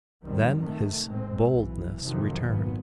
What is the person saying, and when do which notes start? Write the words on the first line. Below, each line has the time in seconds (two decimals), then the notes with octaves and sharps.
Then his boldness returned.
0.24 C2 F#2 B2 D#3 G3 C4
0.58 C3 D#3 A3
1.06 A#1 A2 G#3 C4
1.47 B1 E3
2.01 F2 C3 D#3 F3 F#3
2.47 G#1 A#2 F#3 B3